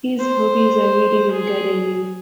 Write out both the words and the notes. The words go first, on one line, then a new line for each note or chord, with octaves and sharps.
His hobbies are reading and gardening.
C5
G#4